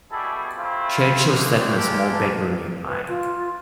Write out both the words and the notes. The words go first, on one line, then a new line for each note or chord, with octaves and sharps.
Churchill slept in a small bedroom nearby.
B2 G3 E4 G#4 A4
A3 C4 E4 F4
B2 E3 F#3 G#3 A#3 C4
G#3 A#3 D4 G4 A4
B4
F4